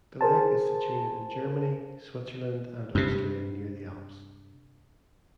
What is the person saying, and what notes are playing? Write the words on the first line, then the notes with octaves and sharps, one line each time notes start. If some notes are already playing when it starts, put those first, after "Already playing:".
The lake is situated in Germany, Switzerland and Austria near the Alps.
G#4 A#4 C5 A5
G2 C3